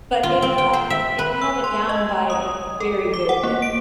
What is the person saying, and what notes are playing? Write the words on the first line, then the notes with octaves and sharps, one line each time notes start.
but it cut it cut it down by a very good bit.
F4
C4
G5
C5
E5
B4
E6
C6
D#5
D#6
A4
D6
F#5
A#3
D7